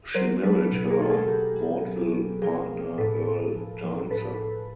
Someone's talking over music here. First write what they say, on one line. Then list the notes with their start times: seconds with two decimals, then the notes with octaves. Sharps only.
She married her vaudeville partner Earl Dancer.
0.14 F#3 A#4 C5
0.43 F#3 A4 B4
0.72 B2
0.90 G#4 A#4
1.00 B2 A4
1.09 G#4
1.28 F#3 G4 A4
1.56 F#3
1.84 B2
2.13 B2
2.42 F3 G#4 A#4
2.70 F3
2.98 A2 A4 B4
3.26 A2
3.54 F3
3.83 F3
4.11 A2 A4 B4
4.40 A2